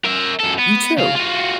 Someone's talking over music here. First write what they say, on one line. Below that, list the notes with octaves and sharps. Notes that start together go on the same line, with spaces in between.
You too.
A#4 E5
F#2 A4
B3
C#3 F5
F4 F#4